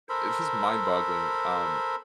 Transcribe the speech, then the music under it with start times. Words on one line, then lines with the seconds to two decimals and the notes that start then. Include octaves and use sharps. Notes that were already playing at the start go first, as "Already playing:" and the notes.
it's just mind-boggling, um,
0.09 A4 A#4 C5 B5